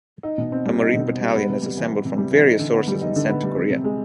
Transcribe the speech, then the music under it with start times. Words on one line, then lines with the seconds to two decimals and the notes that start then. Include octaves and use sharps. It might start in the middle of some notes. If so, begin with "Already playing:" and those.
A Marine battalion is assembled from various sources and sent to Korea.
0.23 D#4
0.38 B2
0.52 C4
0.66 G3
0.80 D#4
0.94 B2
1.07 C4
1.21 G3
1.35 B3
1.49 C3
1.62 G3
1.77 E3
1.90 B3
2.05 C3
2.18 G3
2.31 E3
2.45 D#4
2.59 D3
2.73 B3
2.87 G3
3.02 D#4
3.16 D3
3.29 B3
3.43 G3
3.56 C4
3.70 C3
3.84 G#3